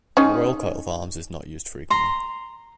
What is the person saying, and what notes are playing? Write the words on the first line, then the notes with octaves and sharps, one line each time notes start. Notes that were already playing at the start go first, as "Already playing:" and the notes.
The royal coat of arms is not used frequently.
C#4 D#4 G#4
A#5 C6